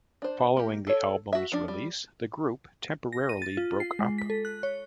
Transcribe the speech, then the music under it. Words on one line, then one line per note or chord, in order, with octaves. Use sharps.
Following the album's release, the group temporarily broke up.
D4 C5
A#3 G4
A4 C#5
F#4 E5
F3 D4
G3
A#6
D#7
A6
F4
C7
G#3
B6
A4
F#6
C#5